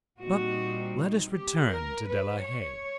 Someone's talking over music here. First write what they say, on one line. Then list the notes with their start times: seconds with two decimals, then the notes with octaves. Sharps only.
But let us return to De la Haye.
0.21 A#2 G3 C4 D#4 F#4
1.32 G4
1.69 A#4
2.07 B4
2.44 C#5